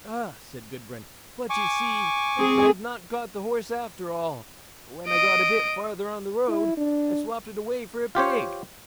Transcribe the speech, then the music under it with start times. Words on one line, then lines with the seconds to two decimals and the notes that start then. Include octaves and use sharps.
'Ah!' said Gudbrand, 'but you see I've not got the horse after all; for when I got a bit farther on the road, I swopped it away for a pig.'
1.50 G#5 C#6 D6
2.38 C4 G#4
5.08 D#5 D7
6.48 E4
6.77 D4
8.15 F4 G4 C5 C#5